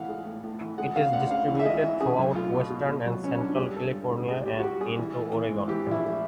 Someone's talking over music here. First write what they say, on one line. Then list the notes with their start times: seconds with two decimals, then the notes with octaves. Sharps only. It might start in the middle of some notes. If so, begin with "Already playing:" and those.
It is distributed throughout western and central California and into Oregon.
Already playing: A2 E3 F5 F#5
0.09 G#3
0.26 A2
0.43 A2
0.61 E3
0.78 G#3 F#5
0.96 C#3 F5
1.13 D2 F#5
1.31 C#3 F5
1.48 E3
1.60 E5
1.65 G#3 D#5
1.84 E3
2.01 C#3 G#4
2.19 B1
2.35 A3 F4
2.53 B2
2.70 B2
2.88 B2
3.06 F#3
3.23 B2 C#4
3.40 F#3 D4
3.54 G4
3.58 G2 G#4
3.75 D3 A4
3.94 G2
4.11 A1
4.28 G3 G#4
4.46 G3 G4
4.59 F#4
4.63 G3 G4
4.81 G3 G#4
4.99 E3
5.16 A3
5.33 E3
5.50 G#2
5.68 E3 G4
5.86 A#1 E4
6.03 A3